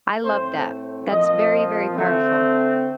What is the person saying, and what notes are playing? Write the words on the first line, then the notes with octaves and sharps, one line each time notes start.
I love that. That's very, very powerful.
A2 A3 C4 C5
A#2 F3 C4 D#5
D3 A3 C4